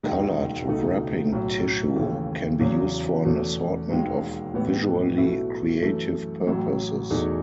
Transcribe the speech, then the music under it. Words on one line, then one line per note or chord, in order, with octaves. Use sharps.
Colored wrapping tissue can be used for an assortment of visually creative purposes.
E1 D#2 D#3 G#3 D#4
C#2 B2 A3 D#4
B1 A2 F#3
D#2 C#3 E3 A3
E2 C#3 F#3
E2 B2 A3 C#4
E1 D#2 D#3 G#3
A1 A2 E3 B3
B1 B2 A3 E4
F#2 E3 A3
A1 A2 F#3
E2 B2 A3 D#4 G#4